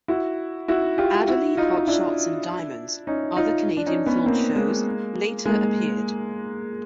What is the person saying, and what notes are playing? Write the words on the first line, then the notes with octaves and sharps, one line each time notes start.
"Adderly", "Hot Shots" and "Diamonds", other Canadian-filmed shows, later appeared.
E4 F#4
E4 F#4
F4 G4
E4 F#4
D#4 F4
D#4
D4 E4
C#4 D#4
D#4 F4
D4
C#4 D#4
B3 C#4
A#3 C4
G#3 A#3
G#3 A#3